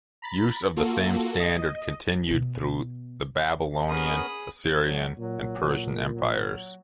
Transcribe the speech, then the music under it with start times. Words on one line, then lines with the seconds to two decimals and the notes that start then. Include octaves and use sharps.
Use of the same standard continued through the Babylonian, Assyrian, and Persian Empires.
0.22 A#5 B5 A6
0.76 A#3 F4 F#4 A4
1.40 D#5
2.31 B2
3.90 B3 C#4 G#4 A#4 B5 D#6
4.83 F#3
5.18 A#2 F#3
5.58 A#2
6.12 F#3